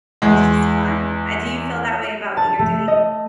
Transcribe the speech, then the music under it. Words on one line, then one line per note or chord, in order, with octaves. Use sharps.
it's just fun. I Do you feel that way about what you're doing?
E2 G#3
A5
A3
D#5